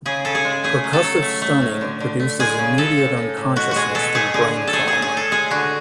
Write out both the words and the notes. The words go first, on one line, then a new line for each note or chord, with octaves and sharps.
Percussive stunning produces immediate unconsciousness through brain trauma.
C#3 G#4
C#3 A4
G#4
G#3
A3 G#4
F#3
A4
F#3
A3
A3
A2
D3
D3
A3
G#3 G#4
C#3
C#3 A4
A2
A2
A2
B2 F#4
G#3 F#4 G#4
B2 A4
A3 G#4
D3 G#4
D3
A4
A3 G#4
A2 G#4
G#4
A2 A4
G#3 G#4
D3 F#4